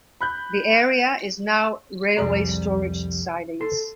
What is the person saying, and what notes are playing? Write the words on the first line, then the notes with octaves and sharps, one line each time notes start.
The area is now railway storage sidings.
B5 F#6 G6
C2 F2 G3 G#4 D5 A#5
A4 C6